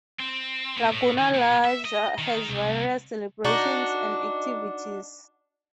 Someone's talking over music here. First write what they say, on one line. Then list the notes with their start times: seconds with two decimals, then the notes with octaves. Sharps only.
Laguna Larga has various celebrations and activities.
0.19 C4
0.78 B2
0.92 A2
1.18 D#3
1.34 A#2
1.65 E5
1.85 D#5
2.18 D#3
2.49 C2
3.44 D4 D#4 F#4